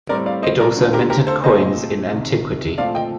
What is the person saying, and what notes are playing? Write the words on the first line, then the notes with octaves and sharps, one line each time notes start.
It also minted coins in antiquity.
A2 G3 C4 A#4 D5
D5 F5
C5 D#5
A#4 D5
D#2 D3 A3 C4
G4 A#4
G4 A#4
A4 C5
A#2 A3 C4 C5 D#5
C2 C3 D#3
A#2 F3 A3 C4 D5 F5
D#5 G5